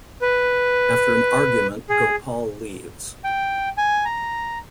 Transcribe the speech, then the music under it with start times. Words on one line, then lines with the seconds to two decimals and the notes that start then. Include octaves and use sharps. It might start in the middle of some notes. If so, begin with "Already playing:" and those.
After an argument, Gopal leaves.
0.21 B4
1.89 G#4
3.24 G5
3.78 G#5
4.05 A#5